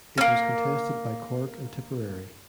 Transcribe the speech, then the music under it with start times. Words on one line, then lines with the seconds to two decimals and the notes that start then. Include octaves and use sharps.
It was contested by Cork and Tipperary.
0.18 A#3 C#4